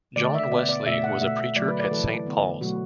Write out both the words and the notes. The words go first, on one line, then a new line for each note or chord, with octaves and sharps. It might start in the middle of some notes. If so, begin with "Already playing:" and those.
John Wesley was a preacher at Saint Paul's.
D3 A3 D5
E5
B2 B3 D5
D5
B2 A3 E5
F#5
B2 A3 E5
E5
D3 F#3 A3 D5
B4
D5
B4
E3 A3 A4
D3 B3
B2 F#3 A3 F#4